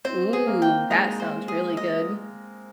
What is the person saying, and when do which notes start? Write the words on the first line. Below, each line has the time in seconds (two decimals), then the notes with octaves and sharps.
Ooh. That sounds really good.
0.05 C4 C5
0.33 G#4
0.47 A#3
0.62 G5
0.90 G#3 D#4
1.20 C5
1.48 G#4
1.77 D#5